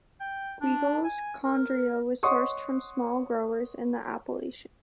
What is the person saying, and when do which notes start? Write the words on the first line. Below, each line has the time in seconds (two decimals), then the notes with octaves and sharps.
Guigal's Condrieu was sourced from small growers in the appellation.
0.20 G5
0.61 D4
1.05 G#5
1.44 A#4
2.23 C#5 D#5 F#5 C6 C#6 D#6